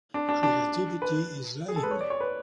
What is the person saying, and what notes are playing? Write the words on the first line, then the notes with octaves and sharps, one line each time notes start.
Creativity is lying.
D4
D4
D4
B4
G#4
A4
B4
C#5
D5
C#5
B4